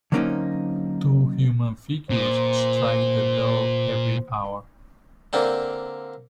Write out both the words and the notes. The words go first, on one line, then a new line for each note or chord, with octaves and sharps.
Two human figures strike the bell every hour.
D3 F#3 A#3 C4 C#4 D#4
A#2 C5
D3 A#3 C4 D4